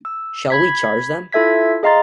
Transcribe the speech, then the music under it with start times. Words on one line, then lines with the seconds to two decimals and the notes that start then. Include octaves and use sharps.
Shall we charge them?
0.05 E6
0.50 B5 G#6 B6
1.32 E4 F4 A4 E5 G#6 B6
1.83 G#4 D#5 F5 A#5 C6 A6